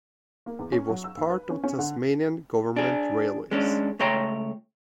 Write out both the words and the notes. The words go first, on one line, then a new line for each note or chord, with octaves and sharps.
It was part of Tasmanian Government Railways.
A#3
E2
C#4
F#3
E6
D#2
B4
C#4
C#4
D3
D4 G#4
G#3 C#4 D4
C#2 A3 C#5 G5 A#5 C6